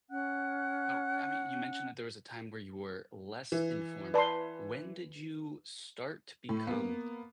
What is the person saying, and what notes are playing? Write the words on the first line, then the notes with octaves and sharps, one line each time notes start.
Oh, I mean, you mentioned that there was a time where you were less informed. When did you start to become,
C#4 F#5 F#6
E3
B4 D5 A5 C6
A2
A#3 B3